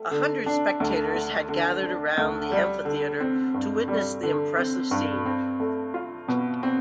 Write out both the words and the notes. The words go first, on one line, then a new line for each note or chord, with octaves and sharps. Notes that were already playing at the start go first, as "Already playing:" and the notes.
A hundred spectators had gathered around the amphitheater to witness the impressive scene.
Already playing: A3
D3
D4
D2
A3
D3
D4
D2
G3
D3
C4
G2
G3
D3
C4
G2
C4
A3
F4
B2
C4